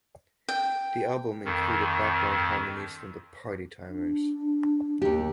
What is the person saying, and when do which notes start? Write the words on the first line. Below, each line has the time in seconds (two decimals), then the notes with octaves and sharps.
The album included background harmonies from The Party Timers.
0.49 G5
1.45 F2 D#3
3.88 D4
5.02 D#2 D#3 G4